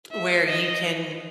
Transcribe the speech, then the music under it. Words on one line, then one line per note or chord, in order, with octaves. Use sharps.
where you can
E5
D#5